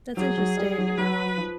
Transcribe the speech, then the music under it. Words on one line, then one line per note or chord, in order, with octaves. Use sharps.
That's interesting, um,
F#3 G#4
F#3
G3
F#3
F#3 B4
F3